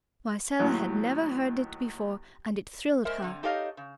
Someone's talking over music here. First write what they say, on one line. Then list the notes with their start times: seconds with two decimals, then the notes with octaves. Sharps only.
Marcella had never heard it before, and it thrilled her.
0.59 D#2 A2 F#3
3.05 G#3 A#4 C5 E5
3.22 D3 C4
3.43 D#4 G4 A4 C#5 D#5 F5
3.77 C#3